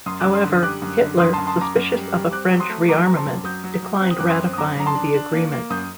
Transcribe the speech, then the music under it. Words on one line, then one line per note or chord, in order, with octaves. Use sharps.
However, Hitler, suspicious of a French rearmament, declined ratifying the agreement.
F#2 C6 D#6
F#2 D6 F#6
C6 D#6
D3
D#6
G3 D6 F#6
F#2
D3
F#2 C6 D#6
F#2 A5 C6
A5 C6
F#2 A#5 D6
F#2
G3
G3
C4 D6 F#6
F#3
C6 D#6
A3
F#3 A#5 D6
C4 A#5
A5 C6
F#2
F#3 D#6 G6
F#3
F#3
C4 F#6
D#6
F#2 D6 F#6
C6 D#6
C4
D#6
F#2 A#5 D6
F#2 A#5
A5 C6
D4
D4
A#3
A#3
F#2 D#6 G6